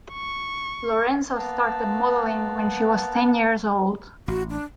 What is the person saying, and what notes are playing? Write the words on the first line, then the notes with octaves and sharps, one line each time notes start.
Lorenzo started modeling when she was ten years old.
C#6
A#3 B3 F#5 A5
A1 F#4
D4